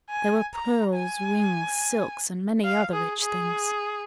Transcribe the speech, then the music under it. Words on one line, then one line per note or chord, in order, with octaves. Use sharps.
There were pearls, rings, silks, and many other rich things.
G#5
A#5
G#5
F5
G#4
G#4